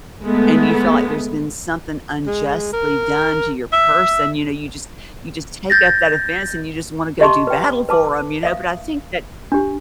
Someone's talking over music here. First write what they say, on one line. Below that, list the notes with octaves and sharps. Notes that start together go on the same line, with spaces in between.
and you feel like there's been something unjustly done to your person. You know, you just you just take up that offense and you just wanna go do battle for him, you know? But I think that
G#3 A3 B3
G#3
A#4
E5
G6 A6 A#6
G4 D#5 E5 A5 C6 C#6
B4 G5
B4 A5 D6
E5 F5 D#6
D4 G4